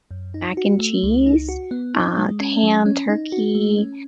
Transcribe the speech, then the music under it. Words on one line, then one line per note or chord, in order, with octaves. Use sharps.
mac and cheese, uh, ham, turkey,
F#2
D#4
F#4
A3
C#2
D#4
F#4
B3
D#4
G#3
C#4
F#3
C#4
D#4
F#4
A3
C#4